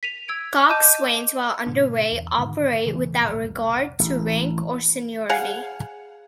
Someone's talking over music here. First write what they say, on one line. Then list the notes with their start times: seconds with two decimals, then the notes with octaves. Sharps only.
Coxswains, while underway, operate without regard to rank or seniority.
0.03 B6 D#7 F7
0.28 E6 G#6 D7
0.69 D#5 A5 D6 G6 D#7
1.66 G#2 B2 D3
2.12 E2
2.38 G#2 D3 D#3 G#3
2.86 E1 C#3 E3 A3
3.21 D1 A#1
3.41 F1 C2
3.99 A1
5.29 G#4 F5 F#5